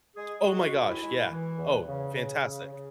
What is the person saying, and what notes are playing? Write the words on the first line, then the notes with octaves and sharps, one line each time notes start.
Oh, my gosh, yeah. Oh, fantastic.
G#3 G#4
G#3 F#4
D#2
E4
G#3
E3
E2
C#3
C#3
C#3
C#3